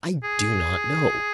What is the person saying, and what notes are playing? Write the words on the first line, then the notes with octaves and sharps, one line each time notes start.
I do not know.
G#4